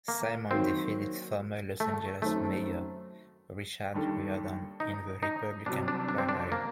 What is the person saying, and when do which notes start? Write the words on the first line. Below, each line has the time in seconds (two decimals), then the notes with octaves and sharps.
Simon defeated former Los Angeles Mayor Richard Riordan in the Republican primary.
0.08 A#3
0.51 D#3 F#3 A#3 C4
1.80 A3
2.22 F#2 D#3 F#3 A3 C4
3.94 D#2 D#3 G3 D4 A4
4.80 D#4
5.23 D#4
5.66 C2 C3 F#3 D4
5.88 D4
6.08 D4
6.18 C4
6.29 D4
6.52 A#3